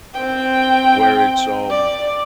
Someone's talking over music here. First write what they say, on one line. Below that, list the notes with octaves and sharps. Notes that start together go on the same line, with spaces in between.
where it's, um
C4 G5
D5